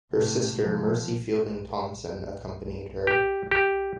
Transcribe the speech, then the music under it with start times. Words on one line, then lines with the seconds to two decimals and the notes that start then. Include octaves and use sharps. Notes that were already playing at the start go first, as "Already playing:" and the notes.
Her sister, Mercy Fielding Thompson, accompanied her.
0.12 A2 C3
0.60 C3 F3
3.07 G4
3.51 G4